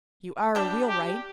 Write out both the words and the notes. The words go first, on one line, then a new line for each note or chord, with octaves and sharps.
"You are a wheelwright?"
G3 D4 G4
G4